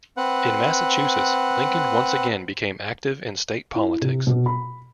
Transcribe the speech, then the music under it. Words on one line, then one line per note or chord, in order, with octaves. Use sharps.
In Massachusetts, Lincoln once again became active in state politics.
C4 B4 F#5
E4
C3
B2
B5